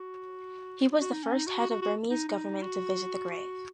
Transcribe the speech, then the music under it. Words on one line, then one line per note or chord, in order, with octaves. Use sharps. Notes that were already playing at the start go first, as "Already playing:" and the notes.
He was the first head of Burmese government to visit the grave.
Already playing: F#4
F#4
D#4
C#4
D#4
F#4
F#4
F#4
F#4
D#4
D#4
F#4
F#4